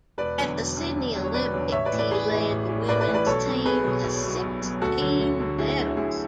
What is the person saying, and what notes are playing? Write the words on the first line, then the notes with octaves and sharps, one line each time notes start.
At the Sydney Olympics he led the women's team to sixteen medals.
E1 B4 D5
E2 D3 F#3
E1
E2 D3 F#3
E1
E2 D3 F#3
C#5
E1 B4 D5
E2 D3 F#3
A1 C#5 E5
B4 D5
A2 E3
B4 D5
A1 G#4 B4
A2 E3
A1
A2 E3
A1 B4 D5
B4 D5
A2 E3
B4 D5
B1 A4 C#5
B2 F#3
B1 G#4 B4
B2 F#3
B1
B2 F#3
B1
B2 F#3
D2 F#4 A4
D3 F#3
D2
D3 F#3
D2 E4 G#4
D3 F#3
D2 E4 G#4